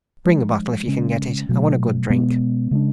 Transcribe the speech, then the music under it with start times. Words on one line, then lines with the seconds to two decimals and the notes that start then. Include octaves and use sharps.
"Bring a bottle if you can get it--I want a good drink."
0.25 F3 G#3 D4
0.87 C#3 G#3 C#4
1.49 B2 F#3 A3
2.10 B2 G#3 B3
2.71 C#3 G#3 D4